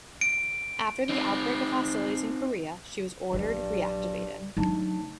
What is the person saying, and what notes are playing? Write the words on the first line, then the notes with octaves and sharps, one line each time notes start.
After the outbreak of hostilities in Korea, she was ordered reactivated.
D7
C4 D#4
A#1 G2 F#3
C#3 F#3 A3 D4 D#4 A5